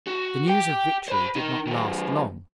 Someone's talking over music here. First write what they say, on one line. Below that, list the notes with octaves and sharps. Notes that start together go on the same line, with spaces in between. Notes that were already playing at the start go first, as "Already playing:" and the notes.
The news of victory did not last long.
F#4
G4 G5
C5 B5
D#4 A#4
D#3 F#3